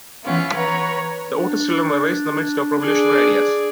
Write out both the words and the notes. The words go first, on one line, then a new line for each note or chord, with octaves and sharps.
The Otis children were "raised in the midst of revolutionary ideals".
E3 B3 C#4 F4
B4 C#5 A#5
D4
G#4 D5